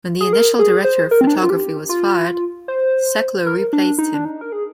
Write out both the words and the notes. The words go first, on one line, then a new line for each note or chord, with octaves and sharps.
When the initial director of photography was fired, Steckler replaced him.
G#4
A#4
G#4
C5
A#4
C4
D4
D#4
F4
G4
F4
C5
A#4
D4
D#4
D4
D#4
A#4
G#4